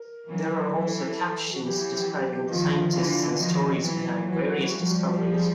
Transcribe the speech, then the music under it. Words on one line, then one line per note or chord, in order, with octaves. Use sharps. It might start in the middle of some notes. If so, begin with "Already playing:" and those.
There are also captions describing the scientists and stories behind various discoveries.
Already playing: A#4
E3 F#3
E3 F#3 A4
F#4
E3 F#3 G4
D#3 F3 F4
D3 E3
D#3 F3 F#4
E3 F#3
E3 F#3 F#4
F3 G3
G4
G#4